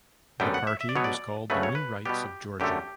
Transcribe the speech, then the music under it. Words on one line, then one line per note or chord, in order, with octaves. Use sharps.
The party was called the New Rights of Georgia.
F#2 D3 G3 B3 G5
F#5
E5
E5
D5
B2 F#3 B3 C#5
D5
D2 C#3 F#3 A3 B4
C#5
B4
B2 G3 B3 G4
F#2 D3 A3 G4